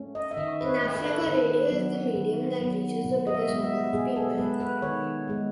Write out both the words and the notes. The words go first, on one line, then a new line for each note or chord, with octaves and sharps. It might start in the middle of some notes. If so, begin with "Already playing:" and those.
In Africa, radio is the medium that reaches the biggest number of people.
Already playing: A3 C#4
D#5
E5
D#3 D#5
B4
C#5
A3 C#4
B4
A4
B4
D#3
F#3 B3
D#3
F#3 B3
B2
D#5
E5
G#3 B3
E5
B2 G#4
A4
G#3 B3 B4
B4
D#3 C#5
G#3 B3